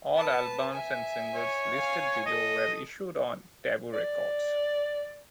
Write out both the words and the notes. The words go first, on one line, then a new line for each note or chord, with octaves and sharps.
All albums and singles listed below were issued on Tabu Records.
B4 A5
E5 G#5
C#5
F5 G#5
A4 D#5
D5